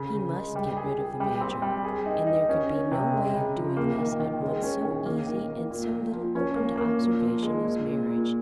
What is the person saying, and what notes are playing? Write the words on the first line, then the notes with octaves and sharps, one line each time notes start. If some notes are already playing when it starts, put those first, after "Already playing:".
He must get rid of the Major, and there could be no way of doing this at once so easy and so little open to observation as marriage.
Already playing: C#3
C#3
G#3
G3
G#4
G#4
G3
C4
G3
G#4
D#4
D#4
C#4
C#4
C3
G#3
C#3
F3
A#3
D#3
D#3
G#3
C#4
D#3
A#3
D#3
A#3
A#2
F3
F3
C#4
A#3
A#3
A#2
F3
G#3
A#2
A#2
A#2